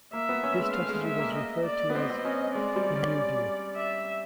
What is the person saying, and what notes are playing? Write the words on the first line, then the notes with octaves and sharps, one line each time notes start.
This strategy was referred to as "The New Deal".
A#3 E5
B3
C#4
G#3
A3 F5
G#3
G#3 E5
A#3
D#5
D5
B3
C4 D#5
C4
C#4
G#3 D5
G3
C#4
E5